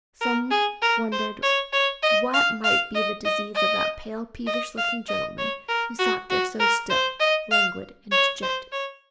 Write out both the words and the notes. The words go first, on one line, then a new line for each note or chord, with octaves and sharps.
Some wondered what might be the disease of that pale, peevish-looking gentleman, who sat there so still, languid, and dejected.
A#4
G#4
A#4
C5
C#5
C#5
D#5
F5
F5
D#5
D#5
D#5
D#5
F5
D#5
C#5
A#4
F#4
F#4
A#4
C5
D#5
F5
C#5
C5
C#5